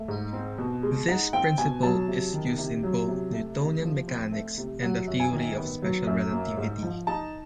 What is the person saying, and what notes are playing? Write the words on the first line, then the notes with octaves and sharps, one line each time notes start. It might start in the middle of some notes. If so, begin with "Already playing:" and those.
This principle is used in both Newtonian mechanics and the theory of special relativity.
Already playing: A3
G#2
C4
B2
G#3
D#4 F#5
C4 G5
B2 G#5
F#3 A5
C3
D#3
C3
F#3
C3
A3
C3
F3
C4
A3
C3
F#3 F#5
F#2
G#5
D#3
B3
F#3
F#2
A#3
G#2
F3
D#4 A5